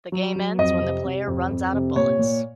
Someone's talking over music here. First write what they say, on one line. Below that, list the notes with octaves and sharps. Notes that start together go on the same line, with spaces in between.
The game ends when the player runs out of bullets.
F#3
F#3
F2 D#5
C3
C3
F2
F2
C3
A#2 C#5
A#2